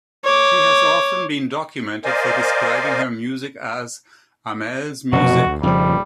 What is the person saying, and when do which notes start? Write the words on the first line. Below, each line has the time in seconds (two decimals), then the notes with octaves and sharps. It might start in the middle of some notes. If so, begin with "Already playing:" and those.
She has often been documented for describing her music as "Amel's music".
0.24 C#5 D6
2.04 A#4 C5 D5 D#5 F5 G#5
5.12 F1 F#2 B2 F#4
5.46 D2
5.63 D#1 F2 C#3 F3 G3